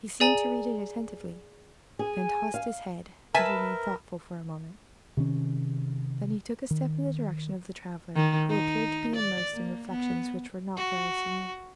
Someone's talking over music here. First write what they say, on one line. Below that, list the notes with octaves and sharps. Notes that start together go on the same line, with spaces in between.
He seemed to read it attentively, then tossed his head, and remained thoughtful for a moment. Then he took a step in the direction of the traveller, who appeared to be immersed in reflections which were not very serene.
G#4 D5 G#5 A#5 F#7
G#4 G#5
F5
A#4 B4 E5 G#5 A5
C3 D#3 C#4
D#3
D#3
D#4
D5
A#3
B3
F#4